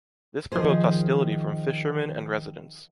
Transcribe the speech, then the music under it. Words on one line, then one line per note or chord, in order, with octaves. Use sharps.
This provoked hostility from fishermen and residents.
D#3 F3 D#4 G#4 C5